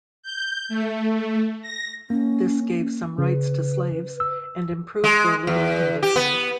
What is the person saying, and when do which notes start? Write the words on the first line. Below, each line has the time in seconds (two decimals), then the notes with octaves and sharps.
This gave some rights to slaves and improved their living conditions.
0.23 G6
0.69 A3
1.62 A#6
2.10 A#3 C#4
3.18 C#3 B4
4.20 E6
5.04 G#3
5.47 E2
6.03 G4
6.16 B3